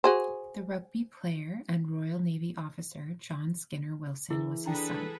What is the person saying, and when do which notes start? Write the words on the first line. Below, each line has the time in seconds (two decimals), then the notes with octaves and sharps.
The rugby player and Royal Navy officer John Skinner Wilson was his son.
0.04 F#4 G#4 C5
4.30 E3 E4 G#4 A#4
4.66 D4 G#4 A4 B4 G5 A#5